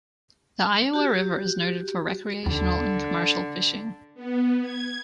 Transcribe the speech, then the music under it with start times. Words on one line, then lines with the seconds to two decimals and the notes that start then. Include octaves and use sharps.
The Iowa River is noted for recreational and commercial fishing.
0.93 F#4 G4
2.46 D#2 D3
4.14 B3
4.61 G#6